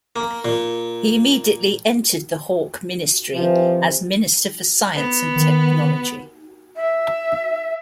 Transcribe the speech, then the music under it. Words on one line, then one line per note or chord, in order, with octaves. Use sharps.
He immediately entered the Hawke ministry as Minister for Science and Technology.
A#3
A#2
C3 E3 F3
B3
D#3
E5